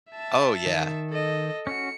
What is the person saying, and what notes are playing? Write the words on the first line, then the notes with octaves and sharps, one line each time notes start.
Oh, yeah.
E5 A5
D#3
A4 D#5
C#4 F#4 C#7